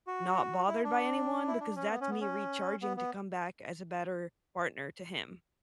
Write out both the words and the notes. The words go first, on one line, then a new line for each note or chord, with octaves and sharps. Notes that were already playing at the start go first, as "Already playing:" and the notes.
not bothered by anyone because that's me recharging to come back as a better partner to him.
F#4
E4
D4
E4
D4
C#4
B3
C#4
B3
C#4
B3
B3